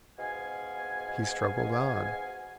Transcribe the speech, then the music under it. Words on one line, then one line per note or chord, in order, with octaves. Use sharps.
He struggled on.
G#2 B2 F5 F#5 G#5